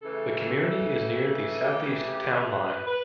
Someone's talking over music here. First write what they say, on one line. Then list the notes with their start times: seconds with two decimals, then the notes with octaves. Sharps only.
The community is near the southeast town line.
0.02 C#3 E3 A3 A4
1.64 G4
2.06 G4
2.45 B4
2.86 B4